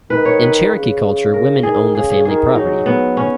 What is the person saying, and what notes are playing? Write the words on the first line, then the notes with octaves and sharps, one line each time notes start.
In Cherokee culture, women own the family property.
D#3 B4
C#5
B4
C#3
A#4
D#3 G#4
C#3 G#4
G#4
D#3 G#4
F#3 D#4
B3
C#4